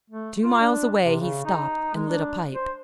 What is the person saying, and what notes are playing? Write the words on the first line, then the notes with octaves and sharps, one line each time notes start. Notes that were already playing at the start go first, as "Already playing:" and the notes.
Two miles away he stopped and lit a pipe.
A3
F4
D4
C3
C#3
D#4
G#3
D4
C5